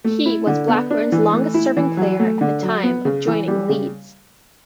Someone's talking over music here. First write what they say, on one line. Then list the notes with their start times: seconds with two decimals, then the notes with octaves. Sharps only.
He was Blackburn's longest serving player at the time of joining Leeds.
0.04 A3
0.26 E4
0.47 D3
0.68 B3
0.91 D4
1.12 E3
1.32 A3
1.54 E4
1.77 E3
1.97 F#3
2.19 A3
2.41 D3
2.62 F#3
2.83 B3
3.05 C#3
3.27 E3
3.48 G3
3.69 C#3